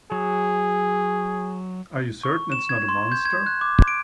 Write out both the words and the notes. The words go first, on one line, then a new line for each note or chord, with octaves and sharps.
Are you certain it's not a monster?
F#3 G#4
C#6
E7
G#6
C6
G6
G#6
F#6
D6
D7